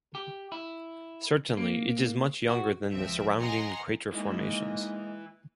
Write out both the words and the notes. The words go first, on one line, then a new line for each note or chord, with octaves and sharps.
Certainly it is much younger than the surrounding crater formations.
G4
E4
A#3
F#4
C#2 F3 C4 E5
D#5 F#5 G#5 A#5 C6
E3 G#3 A#3 D#4 E4 D#5